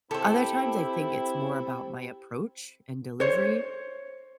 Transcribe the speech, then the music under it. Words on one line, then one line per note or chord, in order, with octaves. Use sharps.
Other times, I think it's more about my approach and delivery.
C4 E4 G4 A4 C5
C5 C#5